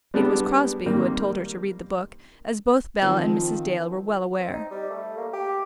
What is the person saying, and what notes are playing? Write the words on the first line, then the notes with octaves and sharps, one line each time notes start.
It was Crosbie who had told her to read the book, as both Bell and Mrs. Dale were well aware.
G3 G#3 B3 D4 G4
D#3 G3 A#3 C4
D#3 F3 C4
C4
D#4
G3
A3
A#3
G4